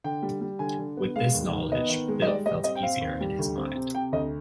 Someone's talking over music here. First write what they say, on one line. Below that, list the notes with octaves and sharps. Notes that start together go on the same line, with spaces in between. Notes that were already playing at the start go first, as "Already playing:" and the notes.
With this knowledge, Bill felt easier in his mind.
D3 G5
G3
G3
D3 G#5
D3
B3
G#3 F5
D#2
D#3
B3 D#5
D#3
G#3
D#5
G3 D5
G3 D#5
C4 D#5
G5
C4 F5
D#2
G3
D2
C4
C3
C3 G5
D2 D#5